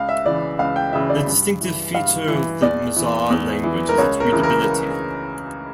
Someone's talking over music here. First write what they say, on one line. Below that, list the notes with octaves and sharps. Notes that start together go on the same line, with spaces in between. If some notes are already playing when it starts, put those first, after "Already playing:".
The distinctive feature of the Mizar language is its readability.
Already playing: C#2 F5
E5
C#3 E3 D5
C#2 F5
G5
C#3 E3 E5
D5
G2
E3
G2 F5
E3
E2 D5
E3
E2
E3
A#4
C#2 C#5
A#4
C#3 E3
A#4